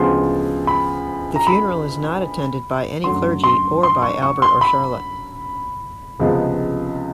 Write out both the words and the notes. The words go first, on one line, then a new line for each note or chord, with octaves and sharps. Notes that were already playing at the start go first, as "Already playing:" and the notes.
The funeral is not attended by any clergy, or by Albert or Charlotte.
Already playing: D2 C#3 F3 G#3 B3 C6
B5
A#5
B5
F#2 D3 F#3 A3 C6
C6
C6
C#6
C#6
C6
B5
C#2 C3 F3 G#3 B3